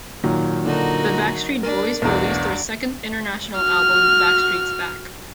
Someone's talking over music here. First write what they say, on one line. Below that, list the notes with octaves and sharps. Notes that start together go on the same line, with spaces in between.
The Backstreet Boys released their second international album Backstreet's Back.
A#2 D#3 F#3
A#2 D3 D4 D#4 F#4 A#4
D4 A#4
B1 E2 D4 F#4
F#4 F6